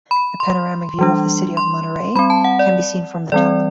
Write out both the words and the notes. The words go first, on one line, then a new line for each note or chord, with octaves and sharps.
A panoramic view of the city of Monterrey can be seen from the top.
B5
C6
E3 G3 D4
C6
G3 C4 B5
A5
F#5
D5
E3 G3 C4 D5